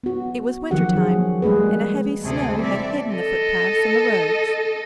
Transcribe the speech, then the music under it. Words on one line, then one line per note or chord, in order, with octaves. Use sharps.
It was winter time, and a heavy snow had hidden the foot-paths and the roads.
B3 F#4
D#3 F3 F#3 F#4 G4 F#5
F#3 G#4
G3 G#3 A#3 G#4 B4
D2 C3 A3 C4 G#4 A4
E3 G3 C4 A4 D5 E5
A4 D#5